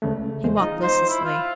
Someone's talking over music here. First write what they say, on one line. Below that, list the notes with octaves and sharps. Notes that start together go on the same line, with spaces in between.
He walked listlessly.
C#2 C#3 A3
E2 G#3 C5
D#4 F4 D#5
C5
E4
F4